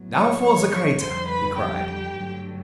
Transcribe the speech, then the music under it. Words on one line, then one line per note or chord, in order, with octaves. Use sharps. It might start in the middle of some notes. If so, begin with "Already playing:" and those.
"Now for the crater!" he cried.
Already playing: A2 F#3 B3
C#5 C#6
C#5 C#6
C#5 C#6
F2 D3 G3 C5 C6
B4 B5
G4 G5
G2 D3 F#3 A3